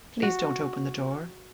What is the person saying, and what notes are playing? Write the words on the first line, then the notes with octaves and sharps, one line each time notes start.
Please don't open the door.
F#4